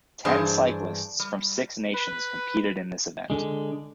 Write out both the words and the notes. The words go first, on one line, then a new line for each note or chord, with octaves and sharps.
Ten cyclists from six nations competed in this event.
G2 E3 D4 G#4 C5 A5
G3
B4
D3 G#3